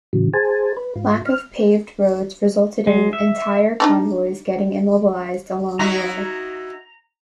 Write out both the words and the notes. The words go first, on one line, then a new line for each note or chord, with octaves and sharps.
Lack of paved roads resulted in entire convoys getting immobilized along the way.
A2 C#3 E3 F#3
G#4 C5 G#5 A5
B4
G#2 F4
F6
G#3
E5
D4 D#4 A4
D#4 E4 F#4 A#5